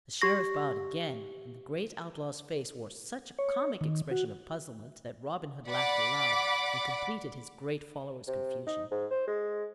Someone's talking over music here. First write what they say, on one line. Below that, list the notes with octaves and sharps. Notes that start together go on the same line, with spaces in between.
The Sheriff bowed again, and the great outlaw's face wore such a comic expression of puzzlement that Robin Hood laughed aloud, and completed his great follower's confusion.
G4 C#6 A#6
C#5
D#3
F#4
D5 F#5 B5 D6
C3
D#4
G#2
C5
G#3